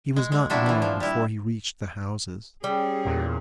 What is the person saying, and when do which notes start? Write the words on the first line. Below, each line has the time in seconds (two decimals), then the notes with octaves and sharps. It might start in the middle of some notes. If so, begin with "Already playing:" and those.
He was not long before he reached the houses.
0.16 G#3
0.32 G#3
0.50 C3 F3 D4 E4 F#4
0.66 A#2 E3
0.82 F3
1.00 G3 E4
2.64 G3 C#4 G#4
3.05 E2 A#2